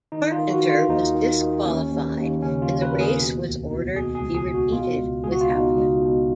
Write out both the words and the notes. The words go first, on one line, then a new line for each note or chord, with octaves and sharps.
Carpenter was disqualified and the race was ordered to be repeated without him.
D#3 D#4
F4
D#3
F#4
D#3
F4
D#2 D#4
D#3
D#3
D#2 C#4
D#2
D#2
C#3 C#4
F4
D#2
B4
D#2 A#4
G#4
B2
C#2
B2
B2 G#4
G#4
C#2
G#4
B2
F#4
B2 F4
C#2
C#2 G#4
F#4
F4
B2 D#4
C#2
B2